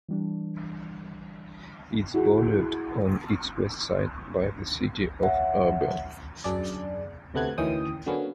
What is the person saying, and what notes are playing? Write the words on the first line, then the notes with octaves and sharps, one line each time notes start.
It is bordered on its west side by the city of Auburn.
E3 G3 D4
E4 F#4 G#4
C#5 E5 F#5
F#2 D4 G#4 D5
D2 C3 A3 B3 F#6 G#6
D2 D#3 E3 C#4 G5 D#6
D3 F#3 A#3 B3 C#4